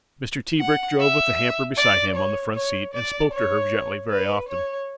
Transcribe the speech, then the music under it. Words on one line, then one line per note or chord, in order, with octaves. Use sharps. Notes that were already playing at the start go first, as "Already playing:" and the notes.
Mr. Tebrick drove with the hamper beside him on the front seat, and spoke to her gently very often.
F#5
E5
D5
C#5
C#5
D5
C#5
B4
C#5